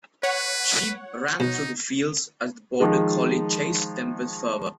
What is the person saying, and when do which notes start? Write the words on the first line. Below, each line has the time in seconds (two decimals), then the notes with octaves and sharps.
Sheep ran through the fields as the border collie chased them with fervor.
0.23 B4 C#5 F#5
1.40 B2 D#4
2.80 D#3 F3 G#3